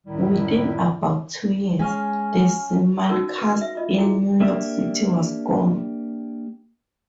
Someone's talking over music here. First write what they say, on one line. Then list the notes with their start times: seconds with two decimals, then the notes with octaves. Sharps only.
Within about two years, the simulcast in New York City was gone.
0.06 C#2 F#2 A2 D#3 G3 E4
1.79 G#3 C#4 F5 G#5
3.09 C#4 D#4 F#4 A#4
3.38 B4
3.61 E5
3.75 F4 D#5
3.98 E4 F#4 G#4 G5
4.40 A#3 D4 G4 E5